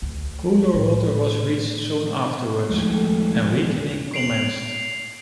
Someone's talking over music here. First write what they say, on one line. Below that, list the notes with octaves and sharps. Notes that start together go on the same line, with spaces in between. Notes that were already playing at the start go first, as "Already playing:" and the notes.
Cooler water was reached soon afterwards, and weakening commenced.
D2
A2
D#2 F3 G#3 A3
C7 D7 F7 F#7